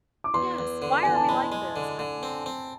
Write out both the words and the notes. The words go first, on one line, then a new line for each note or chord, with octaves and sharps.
Yes, why are we like this? I you know
D6
E2 C6
E2
D3
E2 G#5
A5
G#3 B5
G#3
D3
D3
C4
C4